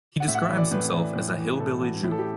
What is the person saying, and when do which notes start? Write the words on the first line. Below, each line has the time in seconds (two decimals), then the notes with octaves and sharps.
He describes himself as a "hillbilly Jew".
0.20 F#5
0.28 A2 E5
0.35 F#5
0.43 E5
0.49 E3
0.57 D5
0.71 A2 B4
0.93 E3
1.16 A2
1.38 E3
1.59 A2 A4
1.81 E3 F#4
2.03 A2 E4
2.12 A4
2.19 G4